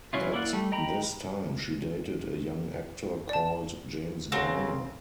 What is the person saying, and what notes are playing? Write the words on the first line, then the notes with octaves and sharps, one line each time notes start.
At this time she dated a young actor called James Garner.
F#3 C#4 E4 F4
A#3 E4 D5 F#5
G3 A3
D#5 G5 A#5 B5
D5 A5
C#3 C4 G4 A#4 F#5